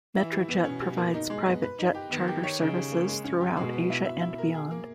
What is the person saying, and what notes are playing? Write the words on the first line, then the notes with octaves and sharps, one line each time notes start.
Metrojet provides private jet charter services throughout Asia and beyond.
E3 E4
G3
B3
B2 C#4
G3
A#3
D#4
G#3
B3
B4
D#4
G4
D#3 B3
G4
C#5
C#3 D#4
G3
A#3
G#3
C#4
G4
B2 G#3
B3
E4
B2 E5
E4
A#4
G#4
A#3